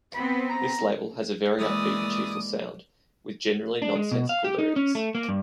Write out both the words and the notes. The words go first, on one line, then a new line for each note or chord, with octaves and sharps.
This label has a very upbeat and cheerful sound, with generally nonsensical lyrics.
B3 C4 B5
A#5
E3 G#3 A#3 D5 D#6
D4
G#3
B2
F5
G4
D#4
C#4
A3
A#3
G2